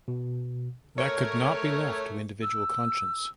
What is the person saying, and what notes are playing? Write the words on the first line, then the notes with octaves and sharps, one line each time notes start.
That could not be left to individual conscience.
B2
A3 A#4 C#5
E6